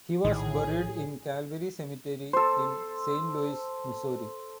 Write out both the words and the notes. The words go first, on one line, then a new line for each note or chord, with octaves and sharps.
He was buried in Calvary Cemetery in Saint Louis, Missouri.
A#1 A2 D#3 G#4
A4 C5